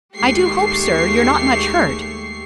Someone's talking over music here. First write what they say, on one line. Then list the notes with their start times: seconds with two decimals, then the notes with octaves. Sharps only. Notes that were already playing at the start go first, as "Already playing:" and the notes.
"I do hope, sir, you're not much hurt?"
0.16 D#2 G#3 A3 G4 C#6 C7